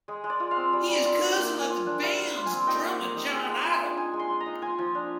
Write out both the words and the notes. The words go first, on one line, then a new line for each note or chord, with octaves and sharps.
He is the cousin of the band's drummer, John Otto.
G#3 G#4
G#3
D5
F4
F5
C4
G3
G3
F4
D4
A#3
A#3
G#5
F4
D4
G3 F5
G3
F4
G#5
C4
D#4 G5
A#3
A#3
D#4
G#3
G#3
F4
D4
D#4 G#5
G#3
C6
G#3
A#5
D#4
F4 G#5
F3
D4